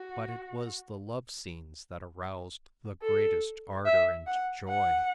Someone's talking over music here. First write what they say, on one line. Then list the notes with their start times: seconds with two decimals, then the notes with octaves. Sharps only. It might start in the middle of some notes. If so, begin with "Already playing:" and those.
But it was the love scenes that aroused the greatest ardor and joy.
Already playing: F#4
3.02 A4
3.86 E5
4.27 F#5
4.69 F#5